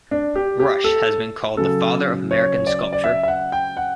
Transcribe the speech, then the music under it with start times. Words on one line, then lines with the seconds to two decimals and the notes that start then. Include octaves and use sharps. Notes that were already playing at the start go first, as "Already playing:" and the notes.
Rush has been called the Father of American Sculpture.
0.11 D4
0.36 G4
0.60 G4
0.84 A4
1.57 C#3 F#3 A4
2.31 C#5
2.67 D5
2.93 D5
3.04 E5
3.23 E5
3.28 F#5
3.52 G5
3.77 F#5